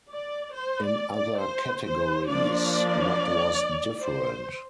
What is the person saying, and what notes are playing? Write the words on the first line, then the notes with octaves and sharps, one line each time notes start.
In other categories not was different.
D5
C5
D5
D5
C5
C5
F3 A#3 D4 D5
D5
C5